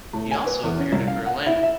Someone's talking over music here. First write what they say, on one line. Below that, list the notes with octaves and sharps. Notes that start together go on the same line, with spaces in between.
He also appeared in Berlin.
A2
G#5
B4
E2
C#4
C2
F5
F#5
E4
E5